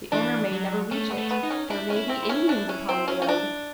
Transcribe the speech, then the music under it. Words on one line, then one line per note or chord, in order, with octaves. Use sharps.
The owner may never reach it. There may be Indians upon the road!
E3 D4
F#3
A3 C#4
B3
A3
B3
D#4
C#4
D4 E4
C#4
E4
C4
E4
C#4
D4
C#4
C4
C#4
C#4
D4